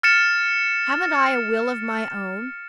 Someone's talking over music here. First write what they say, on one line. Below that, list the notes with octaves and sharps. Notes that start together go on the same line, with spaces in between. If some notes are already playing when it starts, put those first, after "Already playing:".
Haven't I a will of my own?
F6 A6 C#7 E7